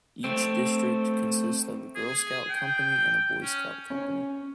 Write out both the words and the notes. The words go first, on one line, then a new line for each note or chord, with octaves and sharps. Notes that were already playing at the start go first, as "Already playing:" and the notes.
Each District consists of a girl scout company and a boy scout company.
A3 C4
G#4
G5
C#4
C#4